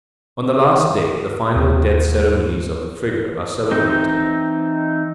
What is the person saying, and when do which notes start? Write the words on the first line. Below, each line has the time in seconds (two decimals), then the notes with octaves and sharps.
On the last day, the final death ceremonies of the figure are celebrated.
1.56 D#2
3.71 E3 C4 D#4